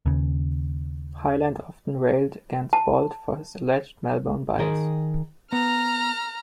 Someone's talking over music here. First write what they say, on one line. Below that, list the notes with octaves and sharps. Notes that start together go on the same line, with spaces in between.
Hyland often railed against Bolte for his alleged Melbourne bias.
D#2 C#3
A5
D#3 G#4 A#4
B3 A#5 F6